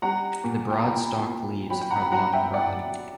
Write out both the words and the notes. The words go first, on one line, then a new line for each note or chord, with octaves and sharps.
The broad-stalked leaves are long and broad.
G3 F#5 A#5
A#2
G5
A#5
A#2 G5 B5
A#2
F#3 G5 B5
G5
F#5 A#5
B5
F#3 F#5 A#5
E5 G5
D5 F#5